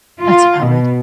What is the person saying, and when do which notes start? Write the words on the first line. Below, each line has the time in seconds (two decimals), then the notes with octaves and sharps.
That's valid.
0.22 F4
0.65 B2